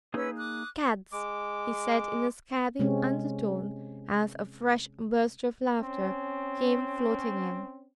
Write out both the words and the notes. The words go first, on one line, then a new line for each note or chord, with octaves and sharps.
"Cads!" he said in a scathing undertone, as a fresh burst of laughter came floating in.
A#3 C#4 D#4 G#4 B4 E6
D6 D#6 F#6
G#3 D6
C3 G#3 C4 C#4
C4 C#4